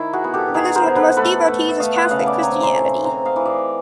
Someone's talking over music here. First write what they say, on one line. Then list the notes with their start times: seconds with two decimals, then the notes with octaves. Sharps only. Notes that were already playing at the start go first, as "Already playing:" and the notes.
The religion with the most devotees is Catholic Christianity.
Already playing: D#3 E4
0.13 F#4 G#4
0.24 B3
0.34 G4 A4
0.54 D#3 G#4 A#4
0.75 A#4 C5
0.86 B3
0.96 A4 B4
1.17 A3 A4 B4
1.48 A3
1.69 E5
1.80 A3 D#5 F5
1.96 E5 F#5
2.11 C#3 D#5 F5
2.26 D5 E5
2.42 C4 G#5 A#5
2.62 A#5 C6
2.73 A3
3.04 C4 G#5 A#5
3.25 D#5 F5
3.36 E3
3.45 D5 E5